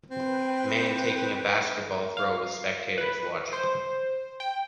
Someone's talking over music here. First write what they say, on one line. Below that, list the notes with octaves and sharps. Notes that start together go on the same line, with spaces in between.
Man taking a basketball throw with spectators watching.
C4 B4 G5
F5
B4
C5
G5